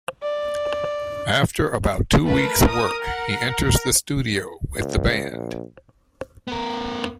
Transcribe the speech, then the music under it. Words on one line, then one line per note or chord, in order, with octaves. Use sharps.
After about two weeks' work, he enters the studio with the band.
D5
A3 A#4 B4
D#6
F#5
C#2
A#1
B3 A#4